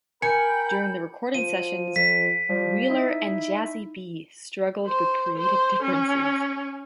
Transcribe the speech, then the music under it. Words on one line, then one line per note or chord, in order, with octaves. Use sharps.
During the recording sessions, Wheeler and Jazzie B struggled with creative differences.
A#4 G5 G#5 B5 G6 C#7
F3 D#7
F2 F3 B6
F3 G3
D#4 E4
C5
C5
C#4